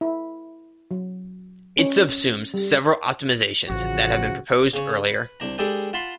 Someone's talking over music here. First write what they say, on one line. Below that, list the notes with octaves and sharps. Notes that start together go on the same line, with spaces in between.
It subsumes several optimizations that have been proposed earlier.
E4
F#3
C#4
G3
A1 C#3 F3 F#4
C#3 C#4 C#5
B4
C2 D4 A#5
G3 G#3 D4 G4 A4 B4
F4 F#5 A5 B5 C6